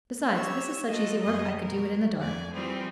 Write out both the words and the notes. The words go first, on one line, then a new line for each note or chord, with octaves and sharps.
"Besides, this is such easy work I could do it in the dark."
G4 C#5 E6
F4 F#4 A4 D#5
F#2 G3 G#4 D#5 D#6
B2 A#4
F2 D5 G#5
E3 G3 C4 F4 G#4